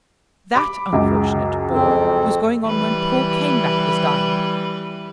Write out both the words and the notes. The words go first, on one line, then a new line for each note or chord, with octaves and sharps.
That unfortunate ball was going on when poor Caneback was dying.
B5 D6
C#2 F#2 G#3
F2 C4
E3 G3 B4